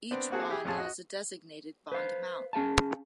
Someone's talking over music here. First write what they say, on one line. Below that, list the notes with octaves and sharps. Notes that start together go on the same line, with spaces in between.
Each bond has a designated bond amount.
B3 C4 D4
A#3 C4 F#4 G#4 A4
E4 G4 G#4
A1 F2 C#4 F4 G#4 A5
F#4 D#5
B4 C5 F5
C#4 G#4 F5 A5